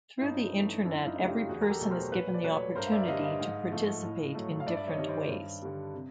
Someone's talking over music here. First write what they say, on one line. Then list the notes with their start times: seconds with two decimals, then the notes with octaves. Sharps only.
Through the Internet, every person is given the opportunity to participate in different ways.
0.18 E4
0.21 G2 C#4 D#4
0.53 E3 A3
0.85 F#2 D4 E4
1.06 D#4 F4
1.17 C#3 F#3 A3
1.28 F4 G4
1.49 E2 F#4 G#4
1.61 A#4
1.70 G4 A4
1.80 B2 F#3 A3
1.91 A#4 C5
2.12 A#2 B4 C#5
2.34 D5
2.44 F#3 A3 B4 C#5
2.75 G2 A#4 C5
2.87 F5
2.92 D5 E5
3.08 D3 G3 D#5 F5
3.24 D#5 F5
3.40 G#2
3.72 F3 A3
4.04 A2
4.35 F#3 A3
4.60 F5
4.66 G2 D5 E5
4.77 D5
4.88 C#5 D#5
4.98 D#3 G3
5.09 C5 D5
5.30 G2
5.62 D3 G3
5.94 C3